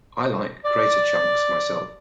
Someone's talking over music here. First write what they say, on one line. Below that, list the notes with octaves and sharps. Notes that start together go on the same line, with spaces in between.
I like greater chunks, myself.
D5